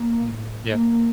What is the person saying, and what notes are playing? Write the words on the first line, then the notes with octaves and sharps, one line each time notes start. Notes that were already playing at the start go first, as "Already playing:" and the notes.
Mhm, yeah.
Already playing: A#3
A2
A#3